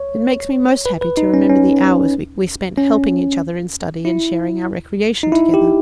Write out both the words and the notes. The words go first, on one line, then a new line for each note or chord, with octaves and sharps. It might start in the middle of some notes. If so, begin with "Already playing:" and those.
It makes me most happy to remember the hours we spent helping each other in study and sharing our recreation together.
Already playing: C#5
B4
B4
D#4
C#4
C#4
C#4
E4
D#4
E4
G4